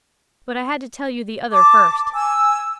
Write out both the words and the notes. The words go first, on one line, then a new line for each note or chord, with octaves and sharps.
But I had to tell you the other first.
A5 D6
G#5 E6